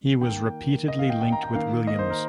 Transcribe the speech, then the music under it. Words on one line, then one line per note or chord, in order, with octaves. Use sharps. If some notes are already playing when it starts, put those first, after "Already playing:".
He was repeatedly linked with Williams.
D#3 A#3 G5
D#5
F5
G5
G5
A#5
G5
D#3 A#3 F5
D#5
C5
A#4